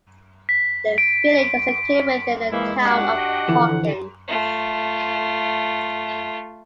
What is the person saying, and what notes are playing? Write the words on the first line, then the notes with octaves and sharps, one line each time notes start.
The village is located within the Town of Hawkins.
B6
D7
E3 F3 G#3 A#3 E4
D4 F#4 G4 F#5
D#5 G5
D3 E3 F3
A3 F4